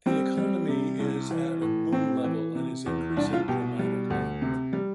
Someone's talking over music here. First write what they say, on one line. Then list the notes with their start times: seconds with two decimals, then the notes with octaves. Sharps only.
The economy is at a boom level and is increasing dramatically.
0.06 G3 C4
0.37 G3
0.69 C3
0.99 C2
1.31 E3
1.61 A2
1.93 A2 C4
2.24 E3
2.55 C3
2.86 E2
3.17 C2 D4
3.33 F4
3.48 B2 G4
3.79 G3
4.10 D2
4.42 C3
4.73 G3